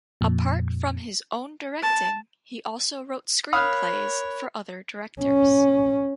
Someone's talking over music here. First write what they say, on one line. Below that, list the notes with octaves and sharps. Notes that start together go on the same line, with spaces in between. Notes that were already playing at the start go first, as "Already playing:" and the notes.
Apart from his own directing, he also wrote screenplays for other directors.
F2 A#2
A5
A#4 C#5 F5 B5 D#6 F6 F#6
C#4